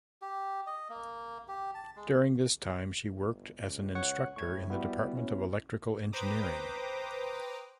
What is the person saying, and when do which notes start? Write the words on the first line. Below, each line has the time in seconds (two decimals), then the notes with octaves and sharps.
During this time she worked as an instructor in the Department of Electrical Engineering.
0.22 G4
0.67 D#5
0.90 A#3
1.48 G4
1.75 A5
1.96 G#3
3.10 G1
3.64 C#2
3.95 C#5 F#5 C#6
4.36 A2 C#6 G#6
4.70 G3 B3 E4 F#4
5.16 C#4
6.12 B4 C5 G5 A#5 D6 D#6